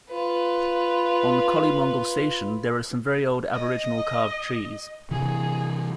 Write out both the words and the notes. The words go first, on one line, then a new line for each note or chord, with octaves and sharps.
On Collymongle Station there are some very old aboriginal carved trees.
F4 B4
D#5
C3 E3 G#4